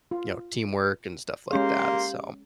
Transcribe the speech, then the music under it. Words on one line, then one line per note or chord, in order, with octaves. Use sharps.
you know, teamwork and stuff like that, so,
F4
G#3 A#3 C#4 G4 G#4 F5 C6